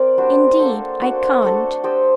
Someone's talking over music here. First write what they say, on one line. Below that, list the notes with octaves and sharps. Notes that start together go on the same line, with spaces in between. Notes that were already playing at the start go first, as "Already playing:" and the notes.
'Indeed, I can't.
Already playing: C4 A#4 D5
G3 D4 F#4 C5
A#3 D4 A4 C5
D4 F#4 C5
A3 D4 A4
D4 G4 C5 D#5